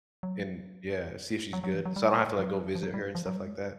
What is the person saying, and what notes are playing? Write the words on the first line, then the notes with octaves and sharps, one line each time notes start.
and, yeah, see if she's good. So I don't have to, like, go visit her and stuff like that.
F#3
F3
F#3
F#3
F#3
E3
F#3
G3
F#3
F3
F#3
G3
F3
F#3
G3
G#3